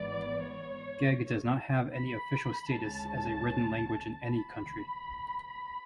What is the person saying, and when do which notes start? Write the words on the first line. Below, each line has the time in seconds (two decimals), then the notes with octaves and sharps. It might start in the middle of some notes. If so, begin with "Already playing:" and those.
Gheg does not have any official status as a written language in any country.
Already playing: G#1 G#2 E3 B3 D5
0.42 C#5
1.94 B5
2.71 D2 C#3 G#3 C#4 A5
4.24 B5